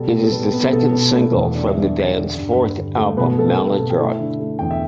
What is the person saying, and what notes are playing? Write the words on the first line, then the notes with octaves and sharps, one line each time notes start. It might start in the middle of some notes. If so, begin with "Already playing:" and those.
It is the second single from the band's fourth album, "Maladroit".
Already playing: B2 G3 A4
A2
A4
G3 B3 B4
B3
B2 A4
B2
A3
E2
D3 D5
E5
D3 D4 D5
G3
D3
G2
G2
D3
A3
B2 B3 B4
A3 A4
B2 A4
B2 A4
G5
A3 E4 E5
D3
A3
E2 G5
E5